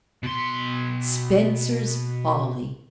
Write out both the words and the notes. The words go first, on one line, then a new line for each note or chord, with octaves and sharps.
Spencer's Folly!
B2 C6